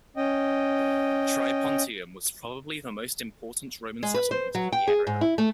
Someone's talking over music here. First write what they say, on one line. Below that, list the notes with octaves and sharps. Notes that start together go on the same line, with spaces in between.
Tripontium was probably the most important Roman settlement in the area.
C#4 D#5 G5
G#3
B4
C5
F#3
G5
G#4
G#2
E4
A3